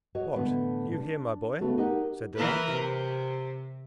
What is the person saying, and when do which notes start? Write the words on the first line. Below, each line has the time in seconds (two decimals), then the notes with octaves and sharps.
"What! you here, my boy?" said the rat.
0.15 F#4 C#5 D#5
0.36 A2 D3 E3 A#3 B3
0.92 D4
1.61 C#3 A3 B3 F#4 A4
1.78 D#4 G4 A#4 F#5
2.36 E3 A#4 B4
2.71 C3